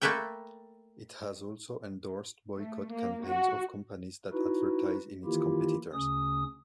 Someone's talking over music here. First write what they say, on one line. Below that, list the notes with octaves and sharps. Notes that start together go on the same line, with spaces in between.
It has also endorsed boycott campaigns of companies that advertise in its competitors.
A3 A#3 A4 B4 E5 G5
A3
A#3
F#4
D#4 E4 F#4 B4
D#3 E3 A#3 E4 F4 G4
D2 C#3 C#4 D#6